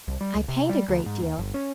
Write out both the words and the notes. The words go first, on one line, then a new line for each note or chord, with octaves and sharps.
'I paint a great deal.
C2
G3
C#2
C3
G3
D2
G#2
D#2
G1
C#4